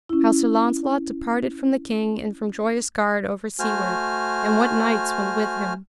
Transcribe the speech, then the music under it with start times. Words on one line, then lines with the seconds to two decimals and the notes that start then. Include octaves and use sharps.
How Sir Launcelot departed from the king and from Joyous Gard over seaward, and what knights went with him.
0.09 C#4 E4
3.59 A3 F#4 C5 G#5 F6